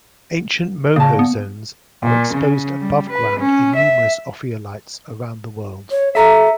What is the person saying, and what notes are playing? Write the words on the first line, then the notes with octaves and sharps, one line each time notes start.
Ancient Moho zones are exposed above-ground in numerous ophiolites around the world.
A#2 C#3 A5
B3
A#2
C#3
G3
B4
C#4
E5
C#5
A4 E5 A#5